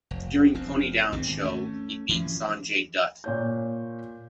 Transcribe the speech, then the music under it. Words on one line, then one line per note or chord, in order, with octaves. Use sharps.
During Ponydown Show, he beat Sonjay Dutt.
F1
F1 F2 C4
G#1 E2 C3 C4
A3 C#4
E3 F3 A3 C#4
A#2 C#5 G6